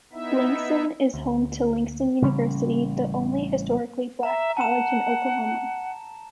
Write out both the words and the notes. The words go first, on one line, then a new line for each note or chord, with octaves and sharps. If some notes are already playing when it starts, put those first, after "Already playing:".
Langston is home to Langston University, the only historically black college in Oklahoma.
B3 D#4 E4 E5
D2
A1 C#3 G3 C#4
E5 A#5
F#5 A5 E7